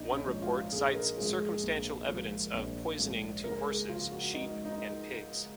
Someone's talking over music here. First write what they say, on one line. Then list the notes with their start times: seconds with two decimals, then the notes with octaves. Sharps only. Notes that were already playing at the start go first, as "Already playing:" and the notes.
One report cites circumstantial evidence of poisoning to horses, sheep and pigs.
Already playing: A#1 D#4
0.11 C#4
0.27 G#2 F3
0.42 F4
0.72 A#1 G#4
0.95 A#4
1.17 G#2 F3 G#4
1.40 G#4
1.63 A#1
2.08 G#2 F3
2.53 A#1
2.99 G#2 F3
3.44 C#2 A#4
3.66 G#4
3.89 C#3 F3 F4
4.12 F#4
4.34 C#2 D#4
4.65 D#4